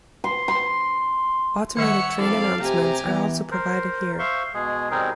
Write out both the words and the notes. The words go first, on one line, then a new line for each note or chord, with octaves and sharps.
Automated train announcements are also provided here.
C6
C6
D#3 G3 C#5 D#5 E5 F#5 C#7
F2 D#4 A4 D5 F5
C3 A3 G4 G#5 A#5
E3 B3 B4 F#5
A#4 C5
C5 E5 F5 C6 C#6
B2 G#3 G#4
B2 G3 C4 D#4 G#4 A#4